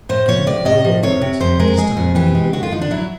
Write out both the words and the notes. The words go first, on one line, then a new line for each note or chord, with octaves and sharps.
Again the whirl of words, but this time they conveyed a meaning.
A2 C5
F3 C#5
A2 D5
A2 D#5
F3
C3 C#5
C3
F2 C5
G#3 A#4
G#3 G#4
F2
E3 G4
G#3
D3 F#4
F4
D3 D#4
D4
F#3 E4